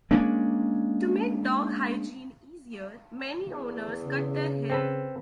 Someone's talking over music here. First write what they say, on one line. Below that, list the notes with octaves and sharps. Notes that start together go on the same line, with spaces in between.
To make dog hygiene easier, many owners cut their hair.
G#3 A#3 C#4 D4
E2
C#3
C4 A4 B4